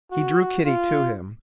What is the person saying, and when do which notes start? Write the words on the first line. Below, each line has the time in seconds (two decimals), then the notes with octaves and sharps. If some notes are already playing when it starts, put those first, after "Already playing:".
He drew Kitty to him.
0.12 F#4
0.65 F4